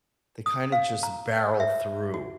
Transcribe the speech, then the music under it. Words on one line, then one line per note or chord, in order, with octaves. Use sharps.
they kinda just barrel through-
D#6
F5
A#5
E5
F#4